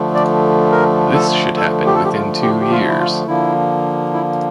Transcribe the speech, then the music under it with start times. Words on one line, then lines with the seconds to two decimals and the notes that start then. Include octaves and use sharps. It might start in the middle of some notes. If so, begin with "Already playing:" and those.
This should happen within two years.
Already playing: D3 F3 A3
0.15 D5
0.71 A#4
1.14 A4
1.57 A4
1.86 G4
1.95 A4
2.04 G4
2.14 F4
2.42 G4
2.60 G4
2.71 F4
2.87 E4
2.99 F4
3.27 D3 F3 A#3 E4
4.13 E4